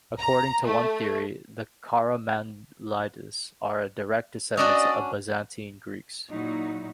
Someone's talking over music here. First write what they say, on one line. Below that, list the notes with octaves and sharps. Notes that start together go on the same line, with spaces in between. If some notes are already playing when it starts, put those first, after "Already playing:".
According to one theory the Karamanlides are the direct descendants of Byzantine Greeks.
A#5
A3
C#4 D4 F#4 D5 D#5
A#2 F#3 D#4 E4 F#4